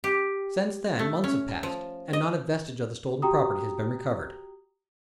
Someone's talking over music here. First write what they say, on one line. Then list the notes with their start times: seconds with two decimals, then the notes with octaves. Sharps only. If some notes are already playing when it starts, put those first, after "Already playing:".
Since then months have passed and not a vestige of the stolen property has been recovered.
0.04 G4
0.99 A3
1.24 C#4
1.63 F3
2.13 D#5
3.22 F#4 G4 G5 A#5 D#6